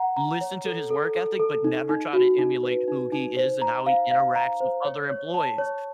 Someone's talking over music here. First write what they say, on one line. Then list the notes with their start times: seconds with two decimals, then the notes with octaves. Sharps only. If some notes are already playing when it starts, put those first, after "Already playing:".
"Listen to his work ethic, but never try to emulate who he is and how he interacts with other employees,"
Already playing: F#5 A#5
0.17 A#5
0.41 C#5
0.65 A4
0.90 A4
1.15 A4
1.39 A4
1.64 D#4
1.89 D#4
2.13 F#4
2.39 D#4
2.63 B4
2.88 D#4
3.12 D#4
3.37 C5
3.62 A#5
3.86 F5
4.11 F5
4.36 A#5
4.60 C5
4.85 C#5
5.10 C#5
5.34 A5
5.58 C#5